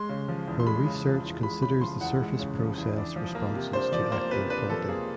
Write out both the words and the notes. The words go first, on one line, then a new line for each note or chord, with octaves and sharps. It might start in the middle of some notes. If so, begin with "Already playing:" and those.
Her research considers the surface process responses to active faulting.
Already playing: G#3 C6
C#3
F3
E2
C6
G#3 B5
C#3
F3
E2
G#3 B5
C#3 B5
F3 C6
E2 F#5
G#3
C#3
F3
E2
D4
F3
A#3
C3
D4 C5
F3 D5
A#3 C5
C3 B4
D4 B4
F3 A4
A#3 G#4